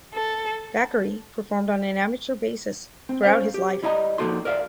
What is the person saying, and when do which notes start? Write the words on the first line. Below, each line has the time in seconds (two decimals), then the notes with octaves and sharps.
Thackery performed on an amateur basis throughout his life.
0.13 A4
3.09 C4
3.23 C#4 C5 F5
3.54 G4
3.83 G3 E4 D#5 F#5 A#5
4.18 F3 A#3 D#4 F#4 A4 C6
4.45 A#4 D5 E5 F5